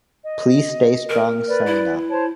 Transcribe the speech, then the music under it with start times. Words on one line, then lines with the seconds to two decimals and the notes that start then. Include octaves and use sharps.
Please stay strong Sainaa.
0.24 D#5
1.10 A#4
1.47 B4 D5
1.66 E4
2.10 C5 C#5 A5